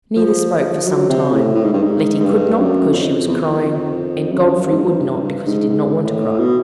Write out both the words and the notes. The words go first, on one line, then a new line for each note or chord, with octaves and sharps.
Neither spoke for some time; Letty could not because she was crying, and Godfrey would not because he did not want to cry.
F3
F#3
C3
A2
A2
G#2
G2
G#2
G#2
G2
F#2
F2
E2
E2
F2
F#2
F#2
G#2
G2
G2
G2
G#2
G#2
A2
B2